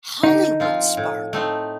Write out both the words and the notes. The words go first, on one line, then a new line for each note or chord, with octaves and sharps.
Hollywood sparkle.
D3 D#4
F3 C4 F4
A2
A3 C4 D#4